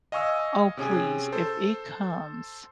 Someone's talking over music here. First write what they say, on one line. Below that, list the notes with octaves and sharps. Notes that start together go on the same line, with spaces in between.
Oh please if it comes
D#5 F5 G#5 C#6 D#6 E6
C3 C#4 G#4 G#5
A4 C5